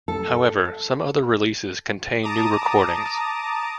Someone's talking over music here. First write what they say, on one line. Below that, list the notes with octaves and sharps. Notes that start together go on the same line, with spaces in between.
However, some other releases contain new recordings.
A4
A5 A#5 D6 D#6